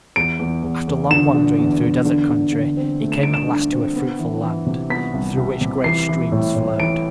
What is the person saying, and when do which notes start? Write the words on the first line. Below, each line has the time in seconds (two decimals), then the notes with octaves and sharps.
After long wandering through desert country he came at last to a fruitful land, through which great streams flowed.
0.16 E2 D7
0.39 E2
0.63 E2
0.88 E2
1.11 D3 E7
1.34 D3
1.59 E2
1.83 E2
2.05 D3
2.29 D3
2.53 D3
2.77 C4
3.01 A3
3.12 E7
3.23 D3 D7
3.34 E7
3.47 D3
3.72 C4
3.95 B3
4.19 E3
4.42 E3
4.66 C3
4.90 B3 B6
5.14 C2
5.37 C2
5.61 C3
5.84 E3 C7
6.09 E3
6.32 A2
6.55 A2
6.80 E3 D7